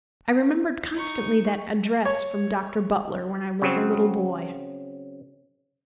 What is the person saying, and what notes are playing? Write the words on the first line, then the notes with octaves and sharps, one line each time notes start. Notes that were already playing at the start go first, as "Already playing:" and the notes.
I remembered constantly that address from Dr. Butler when I was a little boy.
D#4 C#6
C#5
C#3 F#3 C4